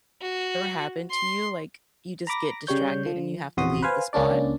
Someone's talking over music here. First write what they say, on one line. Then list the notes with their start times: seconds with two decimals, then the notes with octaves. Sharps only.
ever happened to you? Like, you just get distracted and you have to leave the spot?
0.21 F#4
1.10 C6
2.27 A#5 B5 D6 A#6
2.67 C#3 G3 C#5 G6
3.06 F3
3.57 A#1 E2 C3 F#4 C6 D#6
3.82 B4 C5 F5 G#5
4.13 C#2 A#3 C#4 D4 D5